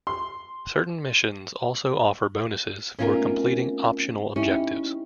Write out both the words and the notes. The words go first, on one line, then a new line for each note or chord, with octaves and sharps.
Certain missions also offer bonuses for completing optional objectives.
C6
A3 B3 C#4 D#4 F4 A#4
C4
C#4 D#4 E4 G4